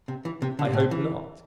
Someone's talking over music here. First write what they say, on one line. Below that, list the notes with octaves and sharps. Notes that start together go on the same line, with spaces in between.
"I hope not."
C3
E3
C3
D3
C3
A2
C3
E3